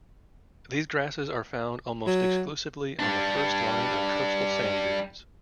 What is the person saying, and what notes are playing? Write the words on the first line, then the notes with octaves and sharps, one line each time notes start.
These grasses are found almost exclusively on the first line of coastal sand dunes.
F#3
G3 D4